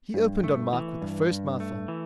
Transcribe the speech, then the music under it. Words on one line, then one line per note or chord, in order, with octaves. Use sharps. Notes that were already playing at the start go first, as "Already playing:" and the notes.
He opened on Mike with the first mouthful.
G2
A3
E3
G2
G2
A3
E3